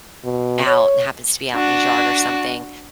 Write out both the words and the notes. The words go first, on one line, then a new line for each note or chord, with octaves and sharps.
out and happens to be out in his yard or something.
B2
C#5
D4 F#4